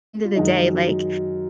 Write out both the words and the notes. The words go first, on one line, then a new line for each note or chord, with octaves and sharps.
of the day, like,
F4
F#2 D#3 G#3 D#4